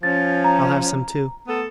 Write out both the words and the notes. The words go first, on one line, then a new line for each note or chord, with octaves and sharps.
I'll have some too!
F3 C#4 A6
A#5
A3 B3 A4